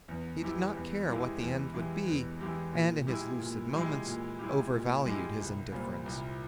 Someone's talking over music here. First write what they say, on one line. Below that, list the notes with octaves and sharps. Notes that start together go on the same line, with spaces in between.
He did not care what the end would be, and in his lucid moments overvalued his indifference.
E2
E3 G#3 E4 G4
E2
E3 G#3 E4 G4
E2
E3 G#3 E4 G4
E2
E3 G#3 E4 G4
A#2
G#3 E4 G4
A#2
G#3 E4 G4
A#2
G#3 E4 G4
A#2
G#3 E4 G4
C2
A#2 G3 C4 F4
C2